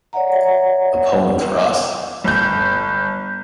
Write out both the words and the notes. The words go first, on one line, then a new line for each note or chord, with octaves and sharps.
A poem for us.
C#5 D5 E5 F#5 A#5
G1 G6